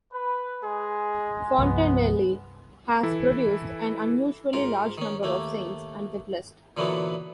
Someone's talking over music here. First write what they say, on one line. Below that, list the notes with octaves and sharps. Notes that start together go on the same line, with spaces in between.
Fontenelle has produced an unusually large number of saints and the blessed.
B4
G#3 G#4
C2 G2 F3 B3
E3 E4 A4
G#2 F4 A#4
D#3 C#4
D#2 A3 A#3
A#2 D3 E3 F#3 A#3 B3